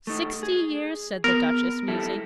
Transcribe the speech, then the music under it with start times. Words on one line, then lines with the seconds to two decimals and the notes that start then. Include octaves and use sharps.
"Sixty years," said the Duchess, musing.
0.07 A3 D#4
0.43 G#4
1.24 B3 A#4
1.88 G3 E4 A4